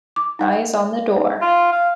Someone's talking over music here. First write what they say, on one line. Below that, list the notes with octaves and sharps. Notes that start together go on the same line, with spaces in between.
Eyes on the door.
D6
D#4 F#5 G5
D#4
F4
F5